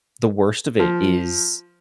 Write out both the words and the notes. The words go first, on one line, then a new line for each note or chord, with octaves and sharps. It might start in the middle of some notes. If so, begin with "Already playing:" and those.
the worst of it is
F3